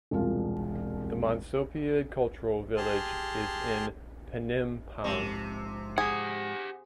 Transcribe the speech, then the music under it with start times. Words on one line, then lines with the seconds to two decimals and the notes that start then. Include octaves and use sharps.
The Monsopiad Cultural Village is in Penampang.
0.11 E1 C2 F4
2.77 G4 G#4 A5 C6 F6
5.04 G#2 C3 F3
5.98 G4 G#4 F#5